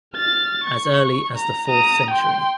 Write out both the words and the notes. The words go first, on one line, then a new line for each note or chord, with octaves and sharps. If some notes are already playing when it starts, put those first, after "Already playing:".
As early as the fourth century.
F6 A6
C#6
A#5
A#5 D#6
G5 C6